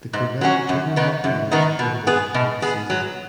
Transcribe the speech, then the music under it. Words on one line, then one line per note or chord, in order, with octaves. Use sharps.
The Quebec Junior Hockey League folded after the season.
G#2
F#3 C#4 F#4
F#2
D#3 B3 D#4
F#2
D#3 B3 D#4
B2
B3 G#4
B2
B3 G#4
F#3